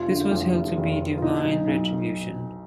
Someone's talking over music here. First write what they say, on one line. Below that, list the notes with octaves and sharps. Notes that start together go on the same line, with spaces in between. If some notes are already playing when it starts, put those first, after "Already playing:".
This was held to be divine retribution.
Already playing: F1 F4
D3
F2
F1
F1
F1
F4
B2 D#4
B1
B1